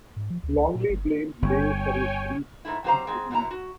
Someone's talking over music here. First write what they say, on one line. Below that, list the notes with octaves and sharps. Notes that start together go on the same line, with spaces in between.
Longley blamed Lay for his brief imprisonment.
G#2
F3
D2
C#2
A#2
G1
G1 C#5 G5 G#5
G#2 A3 E4
F#3 C4 G4 C5 F5 A#5
G#2 G#3 C4
F#2 B2 E4 A#5
F#4